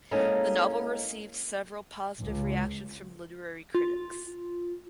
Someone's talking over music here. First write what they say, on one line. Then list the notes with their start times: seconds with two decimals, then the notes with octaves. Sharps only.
The novel received several positive reactions from literary critics.
0.11 G#3 A#3 C#4 D#4 E4 A4
2.20 C#2
3.75 F4